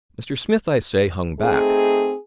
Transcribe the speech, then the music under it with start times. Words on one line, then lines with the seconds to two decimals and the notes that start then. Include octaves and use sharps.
Mr. Smith, I say, hung back.
1.40 A3 C4 D#4 G#4